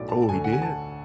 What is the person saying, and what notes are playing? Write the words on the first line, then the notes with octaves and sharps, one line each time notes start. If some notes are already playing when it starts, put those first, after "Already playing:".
Oh, he did?
Already playing: B1 A2 F#3 D5
A5
A5
D2 D3 A3 G#5
F#5
G#5
A5